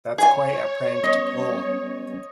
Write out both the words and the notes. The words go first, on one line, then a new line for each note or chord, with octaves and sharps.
That's quite a prank to pull.
G#4 C#5 G#5
G3 B3 C#4 D#5